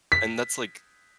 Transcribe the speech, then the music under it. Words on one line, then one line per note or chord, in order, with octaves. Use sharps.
and that's, like,
B6